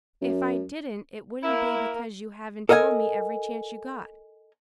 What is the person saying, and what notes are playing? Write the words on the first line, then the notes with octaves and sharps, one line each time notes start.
If I didn't it wouldn't be because you haven't told me every chance you got.
F#2
A#3 E4 A#4
A4 A#4 D#5 F5 G#5